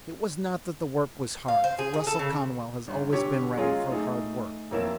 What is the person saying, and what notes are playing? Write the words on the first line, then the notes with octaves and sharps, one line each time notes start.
It was not that the work was hard, for Russell Conwell has always been ready for hard work.
F5
C5
G#4
G#4
A4
C#3
G1
D3 G4 C#5 C#6
F#3 G#3 C#4 F4 G#4
A3 D#4 G#4
F2 F#3 A#3 E4 E7